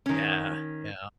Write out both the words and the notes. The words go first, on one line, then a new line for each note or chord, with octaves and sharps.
Yeah, yeah,
D#3 C#4